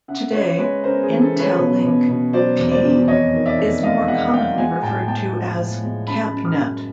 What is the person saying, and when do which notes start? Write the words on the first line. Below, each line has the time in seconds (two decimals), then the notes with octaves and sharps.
Today, Intelink-P is more commonly referred to as CapNet.
0.08 C#3 E5 F#5
0.34 C#3 B4 C#5
0.58 G#3 B4 C#5
0.83 C#3 A#4 C5
1.03 G#4
1.09 E3
1.21 A4
1.34 C#3
1.40 B4 C#5
1.59 B2
1.83 B2
2.09 B2
2.33 F#3 C5 D5
2.58 E2
2.71 C5 D5
2.84 E2
3.08 F2 C#5 D#5
3.34 D#3
3.46 D5 E5
3.58 F2
3.83 F2 D#5 F5
4.08 G#3 E5 F#5
4.33 G#3 F5 G5
4.58 G#3 F#5 G#5
4.72 G#5
4.83 A2 G5 A5
5.08 G#3 G5 A5
5.34 F3
5.58 A2
5.84 G#3
6.07 C#3 A5 B5
6.33 F#2
6.45 D#6 F6
6.57 F#2